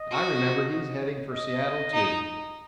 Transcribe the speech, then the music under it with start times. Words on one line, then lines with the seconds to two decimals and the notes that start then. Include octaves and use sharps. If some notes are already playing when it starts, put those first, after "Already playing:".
I remember; he's headed for Seattle, too.
Already playing: D#5
0.12 F#4
1.33 D#5
1.93 D#4